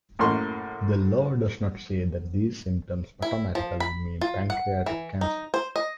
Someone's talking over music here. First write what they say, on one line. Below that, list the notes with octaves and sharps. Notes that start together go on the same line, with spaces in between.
The law does not say that these symptoms automatically mean pancreatic cancer.
F#2 A2 A#3 C6 C#6
E4
F3
B5
F4
F#5
E3
D#4
C5
D#5